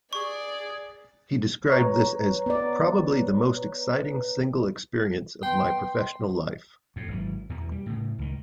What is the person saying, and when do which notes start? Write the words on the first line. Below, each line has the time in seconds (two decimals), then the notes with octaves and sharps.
He described this as "probably the most exciting single experience of my professional life".
0.13 G#4 D5 C#6
1.70 B4 C#5 A#5
2.46 B3 D5
5.43 B3 G5 C6
6.96 F2 A2
7.08 G#1 E3 F#3
7.49 E2 B2 E3
7.72 G3
7.86 A2 C#3
8.18 C#2 D#3